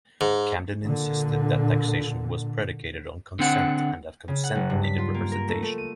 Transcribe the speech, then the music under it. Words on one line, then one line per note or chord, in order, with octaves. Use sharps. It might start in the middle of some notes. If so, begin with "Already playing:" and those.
Camden insisted that taxation was predicated on consent and that consent needed representation.
G#2
A#2 D3
D3 C4 F#5
C#3
F#5
F#1
G2
B6
F4
A#3
A#4
A3
A3
D#7